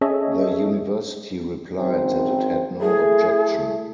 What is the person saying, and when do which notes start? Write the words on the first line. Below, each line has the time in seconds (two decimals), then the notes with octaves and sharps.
The university replied that it had no objection.
0.01 C#4 G#4 A4 C#5 D#5 E5
1.78 G#1 F#2 C4
2.81 A3 E4 G#4